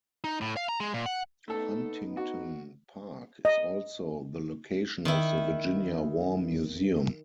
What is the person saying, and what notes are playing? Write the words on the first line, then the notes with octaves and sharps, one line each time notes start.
Huntington Park is also the location of the Virginia War Museum.
D#4
A2
F5
A#5
G#3
A#2
F#5
A3 B3 D#4 A4
F#4
D#5
D#3 E4